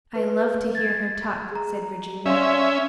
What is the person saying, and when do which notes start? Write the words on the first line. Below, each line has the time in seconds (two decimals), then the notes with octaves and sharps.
"I love to hear her talk," said Virginia.
0.16 B4
0.75 G#6 A6
1.51 G#4 A#5
2.26 C#4 D5 E5 F5 C6